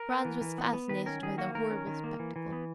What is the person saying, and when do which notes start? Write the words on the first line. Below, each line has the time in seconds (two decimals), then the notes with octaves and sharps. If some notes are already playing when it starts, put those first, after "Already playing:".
Franz was fascinated by the horrible spectacle.
Already playing: A#4
0.09 B3
0.25 E3
0.41 E3
0.58 B3
0.73 B3
0.89 D#3 B4
1.06 C#4 A#4
1.23 D#3 G#4
1.38 A#3 F#4
1.55 D#3 A#4
1.71 C#4
1.87 D#3
2.04 A#3
2.19 E3
2.36 E3
2.53 B3